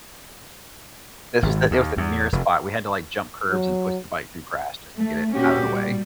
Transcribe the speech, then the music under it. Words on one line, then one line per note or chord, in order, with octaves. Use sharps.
This was the it was the nearest spot, we had to like jump curbs and push the bike through grass just to get it out of the way.
G#1
D#2
E2
F1
F#3
A3
A#2 C#4 F#4 G4
G3